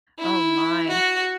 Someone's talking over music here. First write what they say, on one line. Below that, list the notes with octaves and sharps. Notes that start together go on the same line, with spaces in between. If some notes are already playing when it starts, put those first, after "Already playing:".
Oh my,
E4
F#4